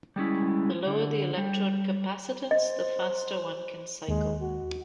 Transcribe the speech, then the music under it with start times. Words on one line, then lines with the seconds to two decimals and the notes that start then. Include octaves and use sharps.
The lower the electrode capacitance the faster one can cycle.
0.16 G3 G#3 C#4 E4
0.86 D3
1.37 G3
2.51 C5 D#5
4.08 D#2 G#3
4.41 F#4